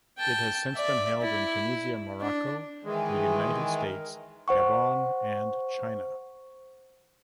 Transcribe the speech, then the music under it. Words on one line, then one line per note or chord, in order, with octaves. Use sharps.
It has since been held in Tunisia, Morocco, the United States, Gabon and China.
G5 A5
D5 E5
E4
D4
D#3 E3 G#3 G#4
A#4
C5 F#5 C#6